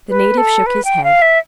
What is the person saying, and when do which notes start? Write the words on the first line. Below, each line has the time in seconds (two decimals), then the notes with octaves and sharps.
The native shook his head.
0.09 B4
0.38 A4
0.66 B4
0.85 G5
1.04 F5
1.22 E5